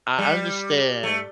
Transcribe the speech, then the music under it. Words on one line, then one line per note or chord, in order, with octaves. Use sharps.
I understand
G3
A3